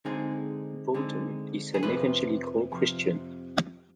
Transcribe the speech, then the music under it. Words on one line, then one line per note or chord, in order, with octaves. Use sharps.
Bowden is an evangelical Christian.
D3 G#3 C4 D#4 G#4
D3 G#3 C4 D#4
G#4
F2 C3 F3 B4
F2 C3 F3